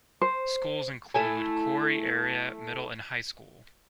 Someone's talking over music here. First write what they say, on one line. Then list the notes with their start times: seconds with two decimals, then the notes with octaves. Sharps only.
Schools include Corry Area Middle and High School.
0.21 C5
1.14 A3 E4 A4 G#5